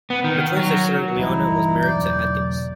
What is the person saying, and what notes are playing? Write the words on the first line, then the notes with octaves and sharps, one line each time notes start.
Her twin sister Leona was married to Atkins.
B3
D#3
F#3
G1 E3 G3 D#4 E4
E1 F#3 D5 G6